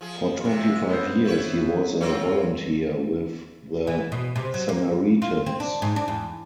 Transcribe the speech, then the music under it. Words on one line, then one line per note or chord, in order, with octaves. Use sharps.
For twenty-five years he was a volunteer with "The Samaritans".
F3 G#4
F2 A2 C3
B3 C5
E4 B4 C#5
F#3 C4 F4 C#5
E3
B2
C3
F#3
A#3
F4
C4
D4
G#2
D4
E2